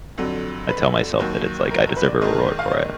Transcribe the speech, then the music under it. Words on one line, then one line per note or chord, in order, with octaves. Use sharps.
I tell myself that it's like, "I deserve a reward for it."
F2 D3 F#3
B4
D#2 D#3 F#3
A#4
A#4
B4
D5
A#1 G#2 D#3 D#5
F5
D#5